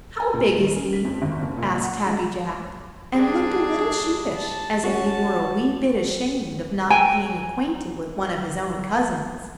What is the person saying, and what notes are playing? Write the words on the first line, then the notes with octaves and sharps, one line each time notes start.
"How big is he?" asked Happy Jack, and looked a little sheepish as if he were a wee bit ashamed of not being acquainted with one of his own cousins.
G#5
A#2
D#3
C#4
B6
F2
G#1
F#1
A#2
F#5
G#3
G3 D4 G#4
A5
C#4 F#4
G5 G#5 A#5